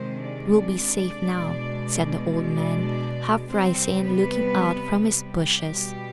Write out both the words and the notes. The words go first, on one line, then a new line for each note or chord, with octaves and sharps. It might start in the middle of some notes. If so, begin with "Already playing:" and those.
"It will be safe now," said the old man, half rising and looking out from his bushes.
Already playing: C3 D#3 G#3 C4 C5
D4 D5
B2 G#3
D4 D5
C3 G3 C4 C5
B3 B4
G3 G4
B2 G3